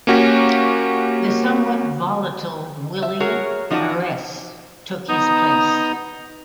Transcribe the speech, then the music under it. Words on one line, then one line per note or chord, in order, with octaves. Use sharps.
The somewhat volatile Willy Mairesse took his place.
A#3 C#4 F#4 G4
E5
F#4 G#4 A#4 C#5
F3 D#4 F#4 D5 A5
B3 D#4 A#5 D#6 G6